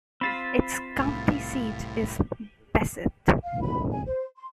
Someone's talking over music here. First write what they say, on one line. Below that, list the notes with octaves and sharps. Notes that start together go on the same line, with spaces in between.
Its county seat is Bassett.
C4 F4 C5 B5 A6 B6
C2 A2
F5
B5
G#5
C5
C6